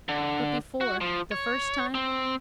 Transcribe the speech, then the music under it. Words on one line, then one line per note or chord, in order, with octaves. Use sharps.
But before--the first time?
D3
F#4
F3
C#5
C4